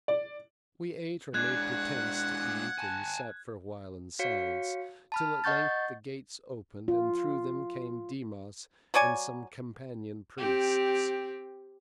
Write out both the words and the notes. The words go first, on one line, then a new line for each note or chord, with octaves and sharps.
We ate, or made pretence to eat, and sat for a while in silence, till at length the gates opened, and through them came Dimas and some companion priests.
D5
G#3 D4 F#5 F#6 G#6
G#5 A5
F#4 C#5 F5 C#7
A5 B5 F6
D#5 F#5 C#6 G6 A6
F4
F#3 C#5 D5 G#5
C4 G4